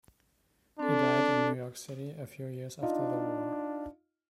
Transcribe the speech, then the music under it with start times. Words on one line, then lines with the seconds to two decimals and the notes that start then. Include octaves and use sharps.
He died in New York City a few years after the war.
0.80 C4 D4 A4
2.82 D4 D#4 F4 D#5